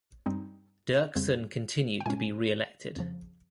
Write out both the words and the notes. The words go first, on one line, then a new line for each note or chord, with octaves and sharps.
Dirksen continued to be re-elected.
G2 G3 C4 D#4
F2 C#3 G3 C4
G5
A#2 G#3 C#4 G#5
F2 C#3 F3